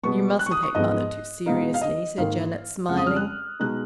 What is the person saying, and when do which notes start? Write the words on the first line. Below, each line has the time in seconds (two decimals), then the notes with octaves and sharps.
"You mustn't take mother too seriously," said Janet, smiling.
0.04 B2 G#3 B3 C#6
0.39 F#6
0.46 C#6
0.51 D#6
0.63 C#6
0.75 G#2 F3 G#3 B3 D#5
1.46 B2 G#3 B3 D#4 F5
1.74 F5
1.81 D#5
2.18 G#2 D#3 A#3 F5
2.89 F2 C#3 F3 G#3 F#5
2.97 D#6
3.06 F6
3.16 F#6
3.60 B2 G#3 D#4 F#6